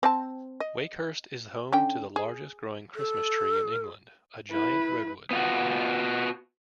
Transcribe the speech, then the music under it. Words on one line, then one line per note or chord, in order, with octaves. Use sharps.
Wakehurst is home to the largest growing Christmas tree in England, a giant redwood.
C4 G5 A5
D#5
D3 C#4 G5
G#4
A4
E4 B4
B3 F4 F#4